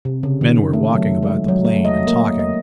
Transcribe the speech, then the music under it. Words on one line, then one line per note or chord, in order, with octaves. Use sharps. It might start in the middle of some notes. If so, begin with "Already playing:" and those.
Men were walking about the plain and talking.
C3
C#3
D#3
A3
F#3
G#3
F#3
A3
D#5
A#3
D#5